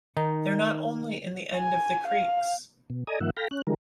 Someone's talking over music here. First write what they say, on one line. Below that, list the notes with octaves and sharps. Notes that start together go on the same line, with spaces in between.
They're not only in the end of the creeks.
D#3 D#4
G#5
F5
B2
A4 D5 D#5 G#5 A#5 D#6
G2 D#3 F3 A#3 E5 F#5
A4 F5 G5 B5 A#6
C#4 F#6
D3 E3 G3 G#3 A#4